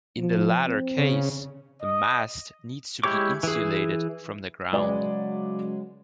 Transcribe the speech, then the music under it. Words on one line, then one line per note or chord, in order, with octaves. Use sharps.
In the latter case, the mast needs to be insulated from the ground.
F3
C4
C#3
D#5
G#3 E4 G4 C#5 D6
E3 G#4
C#3 F#3 G#3 B4 D5